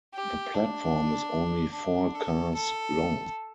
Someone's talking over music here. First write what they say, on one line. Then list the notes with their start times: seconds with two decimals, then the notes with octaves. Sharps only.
The platform is only four cars long.
0.14 G4
0.54 D4
1.74 D4
2.15 A4
2.55 A4